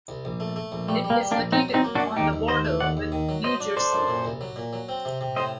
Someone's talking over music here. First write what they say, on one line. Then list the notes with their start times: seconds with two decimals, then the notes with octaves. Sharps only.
It is located on the border with New Jersey.
0.08 C2
0.25 A#1
0.40 A3
0.56 A3
0.72 A#1
0.88 G3 A3
1.04 G3
1.10 A#3
1.21 G3
1.31 A#3 D4
1.37 A#1
1.52 F#3 C4 D#4
1.69 F#3
1.74 C4 D#4
1.84 A#3
1.95 D4 F#4
2.00 F#2
2.16 D#2 D#4 G4
2.33 D#2
2.48 D#2 C5 D#5
2.65 A3
2.80 D#2 D5 F#5
2.97 D#2
3.12 D#3
3.29 F#3
3.44 F#3 C5 D#5
3.60 D4
3.76 D4 A4 C5
3.92 F#2
4.08 A#2
4.25 C2
4.41 F#3
4.56 A#2
4.73 F#3
4.89 C4
5.05 C3
5.21 C3
5.36 A2 C5 D#5